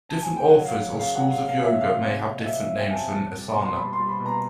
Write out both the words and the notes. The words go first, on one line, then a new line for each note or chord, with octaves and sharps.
Different authors or schools of yoga may have different names for an asana.
A5
G#5
G5
F#3 F#5
F5
F#3
C#3
F5
F#3 F#5
F5
C#3
F5
F#3
E5
C3 F5
C3
C3
D#5
F#3 E5
C3 E5
G5
C3 G#5 A5
G3 A5
G3
B2
C6
G3 B5
C6
G3
B5
B2
A#5